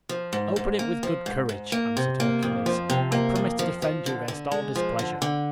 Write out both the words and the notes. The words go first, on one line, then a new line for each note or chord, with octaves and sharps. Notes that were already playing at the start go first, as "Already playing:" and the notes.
"Open it with good courage," answered Hercules, "I promise to defend you against all displeasure."
F3
G#2
G#2
A#3
F3
G#2
G#2
A#3
C3
A#3
F2
F3
C3
A#3
F2
F3
F3
D3
D3
G#3
F3
D3
D3